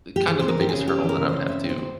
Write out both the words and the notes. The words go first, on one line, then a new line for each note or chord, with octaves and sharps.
kind of the biggest hurdle that I would have to,
G4
E3 G#4
C4 C5
A#4
C4 G4
C#3 G#4
C#3 G4
E3
A#4
C#3
C#3 C5
C4 E5
C4
C5
C4